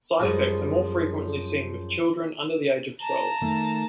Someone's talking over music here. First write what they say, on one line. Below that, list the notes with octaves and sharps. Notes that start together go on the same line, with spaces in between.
Side effects are more frequently seen with children under the age of twelve.
F#2 F3 G3 G#3
A5 A#5
D#3 A3